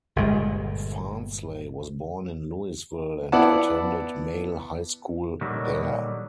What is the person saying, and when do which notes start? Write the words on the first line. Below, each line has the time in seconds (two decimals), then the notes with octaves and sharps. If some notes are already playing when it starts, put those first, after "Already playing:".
Farnsley was born in Louisville and attended Male High School there.
0.16 G1 A#2 G#3
3.32 B3 E4 D5 F#5 A5
5.41 A#2 D3 D#3 F#3 G3